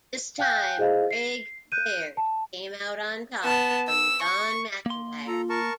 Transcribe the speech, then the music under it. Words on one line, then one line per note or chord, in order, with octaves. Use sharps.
This time Craig Baird came out on top from John McIntyre.
F5 G5 G#5 F#6 G6
E4 G#4 C5 D#5 F5
C7
F#6 G6 D#7
A5
B3 A5
E6
C#6
A#3 C6
F4 A4 A#5
A#4 A5 C#6